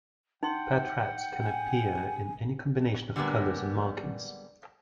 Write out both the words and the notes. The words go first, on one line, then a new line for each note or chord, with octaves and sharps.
Pet rats can appear in any combination of colors and markings.
D#4 F#5 G5 C6
G#5
D3 G3 G#3 A#3 B3